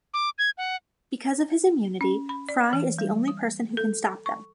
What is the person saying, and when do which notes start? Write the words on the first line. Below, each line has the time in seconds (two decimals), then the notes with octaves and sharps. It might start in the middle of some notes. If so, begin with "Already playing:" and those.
Because of his immunity, Fry is the only person who can stop them.
0.14 D6
0.38 G#6
0.58 F#5
2.01 C#4
2.29 B5
2.49 D5
2.73 E3
2.99 G3
3.28 D#6
3.77 A4
4.26 C#6